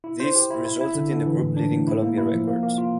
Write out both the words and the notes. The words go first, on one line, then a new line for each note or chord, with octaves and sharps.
This resulted in the group leaving Columbia Records.
E4
C5
G4
E4
E4
E4
D3
D3
E3
A2
D4
A2
E4
A#3
E4
F3
A#3
A#3
F4